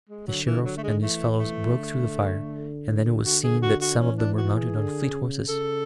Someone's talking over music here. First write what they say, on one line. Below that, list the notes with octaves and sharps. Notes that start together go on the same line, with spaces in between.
The Sheriff and his fellows broke through the fire; and then it was seen that some of them were mounted on fleet horses.
G#3
D3 F#3
E3
F#3
A3
G#3
E3 A3
A3
D3
D3 F#4
G#4
F#4
F#4
E3 C#4
D4
F#4
G#4
D3
C#3
C#3 A4